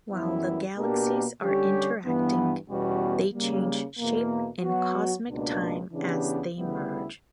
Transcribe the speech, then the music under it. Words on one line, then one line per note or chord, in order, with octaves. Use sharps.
While the galaxies are interacting, they change shape in cosmic time as they merge.
F#2 E3 G3 B3 E4
B2 A#3 D4 G4 A#4
D3 G3 C#4 G4 C#5
G2 E3 B3
E2 B2 G3 C#4 F#4
C#3 G3 A#3
E2 B2 A#3
F#3 B3 F#4
C#2 B2 A#3 D4
C#3 E3 B3 D4 G4
D2 C#3 G3 B3 E4